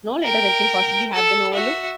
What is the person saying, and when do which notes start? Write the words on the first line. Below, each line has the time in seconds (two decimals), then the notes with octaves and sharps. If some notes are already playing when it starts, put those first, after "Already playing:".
No letter that can possibly have been overlooked?
0.23 A#4 G5
1.13 A4 E6
1.53 F#4 E5